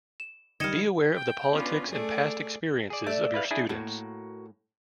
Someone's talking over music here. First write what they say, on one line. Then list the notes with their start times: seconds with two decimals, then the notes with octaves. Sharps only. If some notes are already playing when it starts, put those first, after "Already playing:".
Be aware of the politics and past experiences of your students.
0.20 E7
0.60 D#3 G3 D#5 F5 G#6 C#7 E7
1.14 G5
1.52 B3 C#4 D4 F4 B4
1.90 A3 G#4 A4 D5
2.90 G#4 D5
3.07 A3 D5 E5
3.34 E4 B4 F5
3.51 D4 E4 G#4
3.69 A2 A#3 F#4